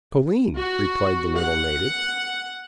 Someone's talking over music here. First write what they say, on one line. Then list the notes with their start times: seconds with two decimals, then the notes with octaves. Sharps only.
"Toline," replied the little native.
0.56 F#4
1.40 F#5